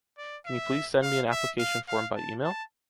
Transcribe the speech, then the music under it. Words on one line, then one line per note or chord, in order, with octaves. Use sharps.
Can you please send me an application form by e-mail?
D5
E5
F5
E5
F5
F5
A5
A5